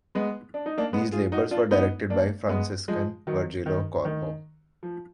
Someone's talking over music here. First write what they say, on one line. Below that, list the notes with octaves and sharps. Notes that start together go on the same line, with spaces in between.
These labors were directed by Franciscan Virgilio Corbo.
G#3 B3
D4
D#4
A#3 D4
G#3 B3
F4 G#4
D#4 F#4
D4 F4
B3 D#4
A#3 D4
G#3 B3
F3 G#3
D#3 F#3
D#3
D#3
F3